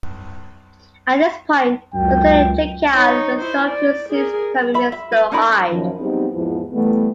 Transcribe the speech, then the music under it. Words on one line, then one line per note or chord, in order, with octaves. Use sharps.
At this point, Doctor Jekyll resolved to cease becoming Mr. Hyde.
C#2 F#2 G5
D#4 C#5
E4 C5
D5
G#4 A#4
E5 B5
E5
B4
C#4 D#4 A#4 B5
F#2 A#2 D#3 F3
G3 B3 C4 D#4 G4 G#4
E2 G#2 E3 F3
E3 G3 A3 B3